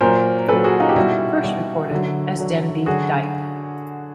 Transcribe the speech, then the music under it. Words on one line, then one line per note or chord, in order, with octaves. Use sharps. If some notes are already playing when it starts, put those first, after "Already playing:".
First recorded as Denby Dyke.
A#2 F#3 A#4 C5
A#2 F#3 A4 B4
F#4 G#4
D#4 F4
G4
B2 G3 E4 F#4
B2 G3
D3 F#3
D3 F#3
D3 F#3 F#4 G#4